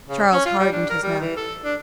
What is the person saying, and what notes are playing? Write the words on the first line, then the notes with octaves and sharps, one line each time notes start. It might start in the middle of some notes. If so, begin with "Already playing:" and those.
Charles hardened his mouth.
C#3
C#4
F4
G3
D4
A#4
G3
E3
A4
D4